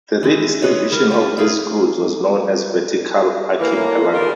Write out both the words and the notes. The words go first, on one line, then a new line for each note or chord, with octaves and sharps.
The redistribution of these goods was known as vertical archipelago.
E3 G#3
F4 G#4 A4 B4 C#5 D#5
E2 G3 A#4
G3 F4
E4 F4 G#4 A#4 B4
E3 A#3
A2
D#3 G3 F4 A#4